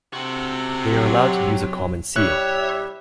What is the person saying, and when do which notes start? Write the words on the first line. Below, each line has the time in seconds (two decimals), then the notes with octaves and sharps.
They are allowed to use a common seal.
0.13 C3 F#4 A4
0.91 F#3 G4
2.16 G3 E4 G4 C#5 E5 F#6